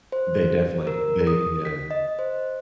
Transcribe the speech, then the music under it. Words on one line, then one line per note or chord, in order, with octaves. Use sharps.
They definitely they Yeah.
C5
A#4
D#6
B6
D#5
C5